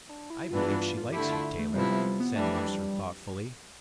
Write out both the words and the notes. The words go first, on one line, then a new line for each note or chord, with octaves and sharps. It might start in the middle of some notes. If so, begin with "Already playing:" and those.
"I believe she likes you, Taylor," said Mercer thoughtfully.
D4
E4
G2 E3 B3 D4 F4
F4
F4
F4
D3 A3 E4 G4
F4
A3
C3 F3 G3 B3 E4
G3
G3
B3
F2 E3 G3 A3 D4
G3